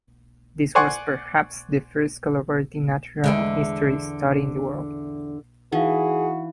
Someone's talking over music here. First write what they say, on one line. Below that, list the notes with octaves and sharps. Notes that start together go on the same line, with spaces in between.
This was perhaps the first collaborative natural history study in the world.
C5 D5 F#5 G#5 C#6
E2 D3 G#3
E3 D#4 F#4 G#4 F5